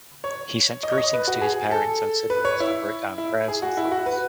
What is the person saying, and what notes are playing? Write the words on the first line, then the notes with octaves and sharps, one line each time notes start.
He sent greetings to his parents and siblings and wrote down prayers and thoughts.
C#5
D#5
C#5
D#5
B4
F#4
G#4
A4
B4
C#5
E4
E4
G#4
F#4
E4
F#4
B4